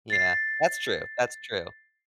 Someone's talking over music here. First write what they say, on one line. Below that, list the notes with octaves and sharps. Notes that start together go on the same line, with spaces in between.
Yeah, that's true, that's true.
A6 C7